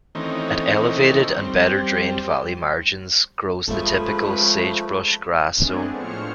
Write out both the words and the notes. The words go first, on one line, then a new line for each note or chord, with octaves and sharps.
At elevated and better-drained valley margins grows the typical sagebrush-grass zone.
D#3 E3 A3 C4 C#4 D#4
G3 C4
F3 G#3 A3 C#4 G#4 A4 B4 E5
G#3 A3 B3 C4 D4 G#4
A2 F3 C5 C#5 F6 C#7